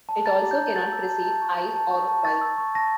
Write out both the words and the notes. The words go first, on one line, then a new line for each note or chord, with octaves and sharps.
It also cannot precede "i" or "y".
A5
A#5 A6
D6
G6
A#5
A5 A6
E6
A5
A5
C#6
G6
A5
C#6
A5
C#6 A6
E6
C#6
A5 A#6